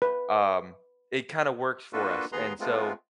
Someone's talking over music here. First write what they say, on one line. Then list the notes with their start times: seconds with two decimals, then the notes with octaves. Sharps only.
um, it kinda works for us, and so,
0.02 B4
1.93 A#3 D4 F4 F#4 A4 B4
2.32 D#2 B3 G#4 B4 A#5 C6
2.60 G#3 A3 B3 C4 F4